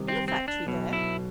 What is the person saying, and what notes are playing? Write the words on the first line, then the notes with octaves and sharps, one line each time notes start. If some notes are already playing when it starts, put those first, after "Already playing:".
In the factory there?'
Already playing: C2 C3 D#3
C4
C4
D4
B1 B2
E4